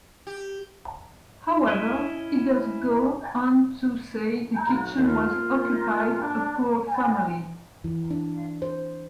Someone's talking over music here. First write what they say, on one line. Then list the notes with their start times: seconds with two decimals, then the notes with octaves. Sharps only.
However, he does go on to say the kitchen was occupied a poor family.
0.27 G4
1.68 C#4 E4 D#5 E5
4.67 B1
4.97 D#2 F4
5.37 A#3
6.22 D4
7.84 E3
8.11 D4
8.62 C5